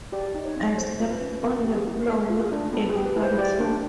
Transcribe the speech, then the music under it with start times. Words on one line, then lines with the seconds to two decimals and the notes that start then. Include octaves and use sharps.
I slept on the floor with a futon.
0.12 G4 D5
0.35 D#4
0.45 C#5
0.56 C4
0.78 A3 C5
1.00 F4
1.10 B4
1.21 C#4
1.43 B3 A#4
1.64 G4
1.76 G#4
1.87 E4
2.07 A3 A4
2.30 F4
2.41 G#4
2.52 D4
2.73 B3 A4
2.89 G#4
2.95 G4
3.06 B4
3.16 E4
3.22 C5
3.38 G4 D5
3.60 D4